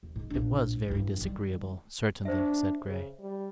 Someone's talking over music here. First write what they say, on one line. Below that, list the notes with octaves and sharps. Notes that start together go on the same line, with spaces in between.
"It was very disagreeable, certainly," said Grey.
D#2
G#2
A#1 D4
E2 G2
D#3 G3
D4 C5 E5
C#3
G3